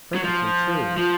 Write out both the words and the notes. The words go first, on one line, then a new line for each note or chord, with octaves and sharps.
"Perfectly true."
F#3
F3
F3